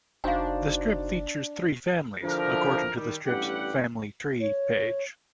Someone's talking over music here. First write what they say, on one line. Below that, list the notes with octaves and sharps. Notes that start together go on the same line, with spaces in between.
The strip features three families, according to the strip's "Family Tree" page.
F#1 D4 D#4 F#4 C5 F5 G#5
D3 F3 A3 E4 G4 A#4
D#3 G3
A1 G2 G3 G4 F#5
C#5